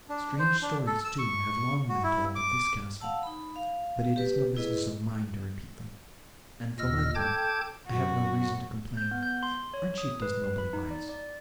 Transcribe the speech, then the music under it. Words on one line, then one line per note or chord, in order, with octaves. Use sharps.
Strange stories, too, have long been told of this castle, but it is no business of mine to repeat them; and, for my part, I have no reason to complain; our Chief does nobly by us.'
D4
C5
D4
A4
E6
C#6
F#4
E4
D6
F5 F#5 A5 E6
D#4 B5
F5
G4 B4
E4 G#4 B4 D#5
D#2 A#2 D#5 E6 F6 A#6
A4 G5 A5 D6 G6 G#6
F#2 F#4
G6
B3
G6
C6
C#5
D#6
B4
B4
B5
D#4
D5
D5